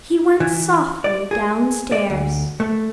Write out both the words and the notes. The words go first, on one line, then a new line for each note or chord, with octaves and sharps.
He went softly downstairs.
E3
D5
G#4
D5
D2
A3